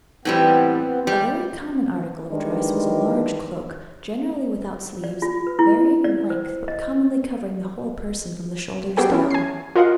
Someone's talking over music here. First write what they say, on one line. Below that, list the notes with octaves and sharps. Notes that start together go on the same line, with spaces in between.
A very common article of dress was a large cloak, generally without sleeves, varying in length, but commonly covering the whole person from the shoulders down.
A2 E3 G3 B3 C4
G3
D#3 E3 G3 G#3 D4
D5
F4
B4
E4
D5
C5
D#5
G3 B3 F#4 G#4 A4 G5
C#4 E4
G#5 C7
F4 A#4 D#5 F5 F#5